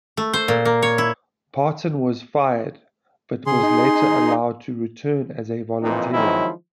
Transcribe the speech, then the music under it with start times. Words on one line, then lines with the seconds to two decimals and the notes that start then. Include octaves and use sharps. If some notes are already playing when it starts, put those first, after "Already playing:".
Partin was fired, but was later allowed to return as a volunteer.
0.17 A3
0.33 C5
0.48 A#2
0.65 A#3
0.82 C#5
0.98 E4
3.46 C#3 G#4 C6
3.63 D#4
5.83 F2 A#2 E3 C4 D#4
6.12 D#3 F3 F#3 G#3 C4 E4